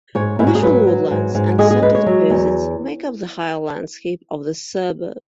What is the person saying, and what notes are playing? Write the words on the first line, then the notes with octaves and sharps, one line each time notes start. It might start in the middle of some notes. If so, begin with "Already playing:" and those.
Natural woodlands and sandy deposits make up the higher landscape of this suburb.
G#2 C#5
G#2 E4
F#4
G#4
F#3 B4
F#3
G#2
G#2
G#3 G#4
G#4
G#3 B4
C#5
F#3
E2